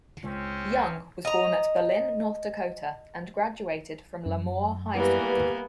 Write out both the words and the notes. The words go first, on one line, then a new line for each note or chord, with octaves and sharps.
Young was born at Berlin, North Dakota, and graduated from LaMoure High School.
C#2 C4 C#4
D#5 A#5
F#2
E3 G3 A#3 B3